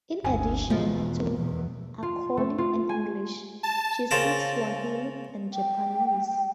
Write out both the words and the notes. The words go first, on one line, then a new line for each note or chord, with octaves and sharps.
In addition to Acholi and English, she speaks Swahili and Japanese.
G1 D2 G#5
E1 E2 B2 F3
E2 B2
F4
A3
F4
G#5
A5
C#3 C4 F4 A#4 A5
G5